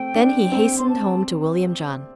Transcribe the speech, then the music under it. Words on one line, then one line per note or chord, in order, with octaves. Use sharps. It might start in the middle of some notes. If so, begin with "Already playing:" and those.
Then he hastened home to William John.
Already playing: A3 C4 G5
D4
C4
C6
A5